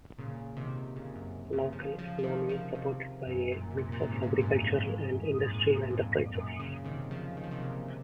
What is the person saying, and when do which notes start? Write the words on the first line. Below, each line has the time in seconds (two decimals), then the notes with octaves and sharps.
The local economy is supported by a mix of agricultural and industrial enterprises.
0.18 A#2 C#3
0.57 C3 D#3
0.96 A#2 C#3
1.15 F#2
1.53 A#2 C#3
1.73 C#3 F3
1.98 C#3 F3
2.19 F3
2.23 C3 D#3
2.49 C#3 F3
2.75 C3 D#3
3.26 F#2
3.51 F#2 A#2
3.71 C3
3.77 F#2 A#2
3.92 A#2
4.03 G#2 C3
4.14 C#3
4.22 G#2 C3
4.38 G#2
4.41 F#2 A#2
4.61 F2 G#2
4.80 F2 G#2
5.05 F#2
5.31 G#2
5.39 A#2
5.46 G#2
5.53 A#2
5.60 G#2
5.68 A#2
5.76 G#2
5.83 A#2
5.90 F2 G#2
6.34 F#2 A#2
6.60 A#2 C#3
6.84 C3 D#3
7.11 C#3 F3
7.37 D#3
7.44 F3
7.51 C3 D#3
7.61 A#2 C#3
7.88 C3